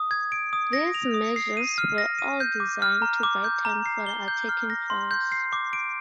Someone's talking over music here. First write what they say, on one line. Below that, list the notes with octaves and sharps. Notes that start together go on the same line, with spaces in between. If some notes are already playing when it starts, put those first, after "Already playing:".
These measures were all designed to buy time for the attacking force.
Already playing: D#6
G#6
D7
D#6
A#6
F7
D#6
C7
D#7
F6
A#6
D#7
G6
D6
F6
A#5
D6
G6
A#5
C7
G7
G6
F6
A#6
C6
G6
C7
D6
D7